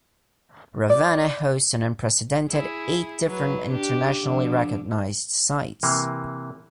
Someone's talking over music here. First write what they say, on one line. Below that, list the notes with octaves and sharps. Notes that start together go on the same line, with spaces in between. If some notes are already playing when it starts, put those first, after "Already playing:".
Ravenna hosts an unprecedented eight different internationally recognized sites.
D5
E4 G#4
F#3 B4
D4 G4
D3 F3
C3 E3 A#3